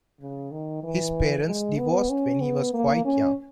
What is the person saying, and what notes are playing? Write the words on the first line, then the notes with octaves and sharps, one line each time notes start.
His parents divorced when he was quite young.
C#3
D#3
E3
G#3
B3
C#4
B3
A#3
C#4